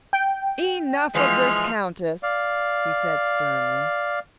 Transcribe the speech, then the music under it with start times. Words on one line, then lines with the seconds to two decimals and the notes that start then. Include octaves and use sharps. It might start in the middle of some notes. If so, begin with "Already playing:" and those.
"Enough of this, Countess," he said sternly.
0.13 G5
1.15 E3 F3 G#3 F6
2.23 D5 F5